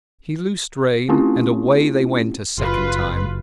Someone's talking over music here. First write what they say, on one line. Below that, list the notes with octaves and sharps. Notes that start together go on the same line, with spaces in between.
He loosened rein, and away they went a second time.
A3 C4 C#4 E4 F4 G4
F#1 F4 B4